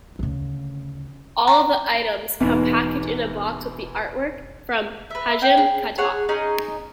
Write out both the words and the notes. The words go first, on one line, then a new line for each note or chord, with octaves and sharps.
All of the items come packaged in a box with artwork from Hajime Katoki.
D2 C#3
A#5
E1 E2 G#2 B2
B4 E5
G5
G#4
G#4 C#5 F#5
C#4 D#4 G#4 D#5